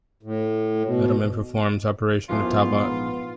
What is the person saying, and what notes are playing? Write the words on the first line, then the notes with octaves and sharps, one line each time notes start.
Edelmann performs the operation on Talbot.
A2
B2
F#2 E3 F3 B3 F4
A#1 G#2